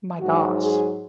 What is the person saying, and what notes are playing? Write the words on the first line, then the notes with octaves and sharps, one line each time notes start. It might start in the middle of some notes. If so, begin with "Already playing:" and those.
my gosh,
G#2 F#3 F#4
G#4